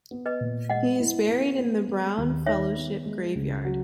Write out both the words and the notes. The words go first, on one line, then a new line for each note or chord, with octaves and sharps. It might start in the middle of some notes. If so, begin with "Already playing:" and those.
He is buried in the Brown Fellowship Graveyard.
B3
B4 D#5
A#2
G#3 D#5 F#5
E4
B3
B3
G#3
D#2
D#3 C#5 E5
B3
G#3
C#2
F#3